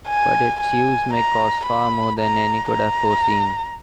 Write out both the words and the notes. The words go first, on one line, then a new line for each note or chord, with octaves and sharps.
But its use may cost far more than any could have foreseen.
G#5
G#5
A#5
B5
A#5
A#5